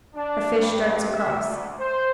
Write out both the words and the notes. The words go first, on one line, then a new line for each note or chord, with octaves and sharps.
A fish darts across.
D4
G2
E5
D2
C5